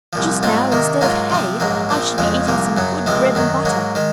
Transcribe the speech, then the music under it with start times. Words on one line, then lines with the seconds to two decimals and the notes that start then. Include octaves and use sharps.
Just now, instead of hay, I should be eating some good bread and butter.
0.13 C2 A#2 F3
0.43 G#2 F#3 C4 F4
0.72 C3 D#3 A#3
1.01 G#2 F#3 A#3 F4
1.30 C3 F3 C4
1.60 A#1 G#2 F#3 A#3
1.89 A#1 A#2 F3 C4
2.18 F2 C#3 F3 G#3
2.47 C2 A#2 F3 A#3
2.77 F#2 C#3 F#3
3.06 C#2 C3 F3 G#3 C4
3.35 F#2 D#3 F#3
3.65 G#2 F#3 A#3
3.95 D#3 G#3